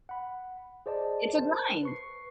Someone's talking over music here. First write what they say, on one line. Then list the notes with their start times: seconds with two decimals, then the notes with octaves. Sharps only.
It's a grind.
0.09 F#5 B5
0.86 G#4 C5 D5 D#5 A5
1.34 A#4 C5 A5
1.83 B4 C#6 C7